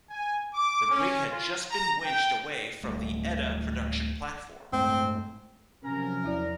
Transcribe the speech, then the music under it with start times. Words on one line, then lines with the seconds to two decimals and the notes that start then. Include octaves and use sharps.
The rig had just been winched away from the "Edda" production platform.
0.10 G#5
0.54 D6
0.90 C#4
1.29 F4
1.71 A#5
2.04 G5
2.83 D1 G3 A3
4.73 G2 G#3 A3 C4
5.84 C3 F3 F#3 C#4 A#4 A#5
6.24 E2 E4 D5